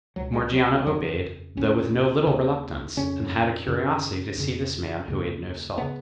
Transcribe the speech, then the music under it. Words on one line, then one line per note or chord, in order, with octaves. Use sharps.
Morgiana obeyed, though with no little reluctance, and had a curiosity to see this man who ate no salt.
C#2 B2 F#3
G#3
F#3
F2 C#3 F#3
D#2 C#3 C#4
D#2 C#3
F2 C#3 C#4
F#2 C#3
F2 C#3
D#2 C#3
C#3 B3